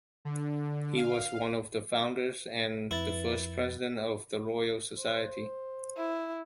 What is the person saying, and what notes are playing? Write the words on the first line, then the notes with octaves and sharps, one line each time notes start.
He was one of the founders and the first President of the Royal Society.
D3
F5
F2 E4 B4 A6
C5
E4